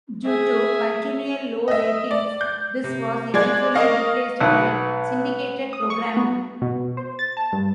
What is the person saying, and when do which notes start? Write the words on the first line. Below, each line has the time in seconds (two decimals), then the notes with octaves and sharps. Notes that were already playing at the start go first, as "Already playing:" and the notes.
Due to continual low ratings, this was eventually replaced by syndicated programming.
0.25 G#4 E5
1.68 D#5 E5
2.11 D5
2.41 G6
2.84 C3
3.34 G#3 D5 G#6
3.74 A#4 D#5 F5 C#6 A#6
4.40 B1 B4 F#5
5.73 D#6
5.90 C#6
6.17 B3
6.62 B2
6.97 C5
7.19 A6
7.37 A5
7.53 G2